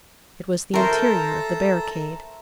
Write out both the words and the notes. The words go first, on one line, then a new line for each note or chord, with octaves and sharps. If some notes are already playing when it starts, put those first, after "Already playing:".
It was the interior of the barricade.
A4 A#4 C5 E5 A5 A#5 C6 C#6